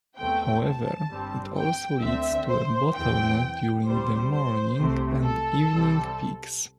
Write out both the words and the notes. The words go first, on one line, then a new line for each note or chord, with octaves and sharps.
However, it also leads to a bottleneck during the morning and evening peaks.
E2 C3 A3 C4 G5
A5
G1 G2 G3 C4
G5
D2 D3 C4 E5
C5
E2 E3 C4 G5
D2 C3 G3 C5
C5
C2 C3 A3
A4
C2 C3 G3 C4